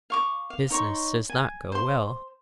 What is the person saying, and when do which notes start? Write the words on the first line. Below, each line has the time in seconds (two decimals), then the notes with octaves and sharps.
'Business does not go well.
0.10 F5 C#6 D6
0.50 F5
0.70 D#4 C#5 C6 C#6
1.29 G#5
1.72 C5 C6